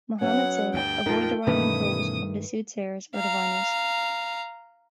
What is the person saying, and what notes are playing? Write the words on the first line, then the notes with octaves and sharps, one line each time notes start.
Muhammad said, Avoid the rhyming prose of the soothsayers or diviners.
F#3 B3 C#4 F#5
D2 G2 G5
F2 A#2 D#4 F4 A#4 A5
G2 B2 D#3 E3 A3 C#4 B4 D#6
F5 A#5